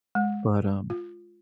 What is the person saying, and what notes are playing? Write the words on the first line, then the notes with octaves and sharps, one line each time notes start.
But, um
G#3
F4